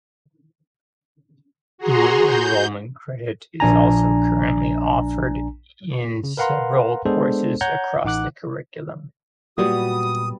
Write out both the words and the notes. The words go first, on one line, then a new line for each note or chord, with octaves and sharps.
Dual-enrollment credit is also currently offered in several courses across the curriculum.
F#4 G#4 A#5 C6
G6
A#1 D4 G#5 A#5
C#3
A#4 B4 F5 F#5 A#5 C6
G#3 B3 D4 G#4 A4 C5
C#5 F#5 A#5 G6 G#6
A1 D#4 F#5 D6 F#6
A#2 F#3 G3 B3 F#4 D#6